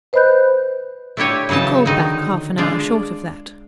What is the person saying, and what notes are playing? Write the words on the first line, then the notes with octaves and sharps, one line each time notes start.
He called back half an hour short of that.
B4 C5 D#5 B5 F#6 G6
A3 D4 E4 G4 C#5 D#5
C#3 E3 F#3 D#4 A5
D3 D#3 F#3 D#4
G#3 D4 F4